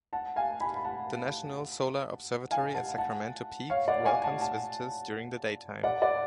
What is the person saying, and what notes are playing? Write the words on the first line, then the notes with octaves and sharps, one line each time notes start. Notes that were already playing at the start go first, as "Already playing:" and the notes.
The National Solar Observatory at Sacramento Peak welcomes visitors during the daytime.
F#5 A5
F5 G#5
G#5 B5
B5
F#5 A5
F5 G#5
F#5 A5
F#5 A5
C#5 F5
D5 F#5
F5 G#5
F#5 A5
F#5 A5
D5 F#5
D5 F#5